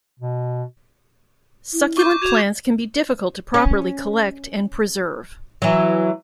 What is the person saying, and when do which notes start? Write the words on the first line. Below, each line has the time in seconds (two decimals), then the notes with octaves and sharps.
Succulent plants can be difficult to properly collect and preserve.
0.20 B2
1.73 E4
1.97 C#6 D6 G6
2.22 F#4 G#6 E7 F7
3.54 C#4
5.62 E3 F#3